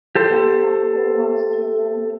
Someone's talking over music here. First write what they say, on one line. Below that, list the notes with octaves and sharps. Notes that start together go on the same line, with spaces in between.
Its capital was Turin.
G4 A4 C5